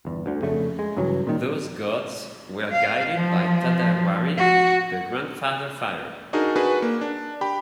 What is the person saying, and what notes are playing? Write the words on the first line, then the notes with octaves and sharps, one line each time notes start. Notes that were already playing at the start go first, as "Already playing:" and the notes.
Those Gods were guided by Tatewari, the Grandfather Fire.
G1 E2
D2 D3
F2 C#3 A3
G#3
G2 C#3 E3 F#3
A#2 D#3
F5
F3
F#4
D4 D#4 F#4 G#4 A#4
D4 F#4 G#4 B4
A#3
D4
G4 G5 B5